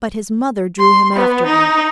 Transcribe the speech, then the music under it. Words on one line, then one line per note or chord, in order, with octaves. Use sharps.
But his mother drew him after her.
C6
B3
D#4